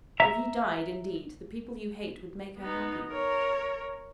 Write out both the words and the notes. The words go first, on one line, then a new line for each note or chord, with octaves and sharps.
If you died, indeed, the people you hate would make her happy.
E5 A#5
B3 D#4
A#4 C#5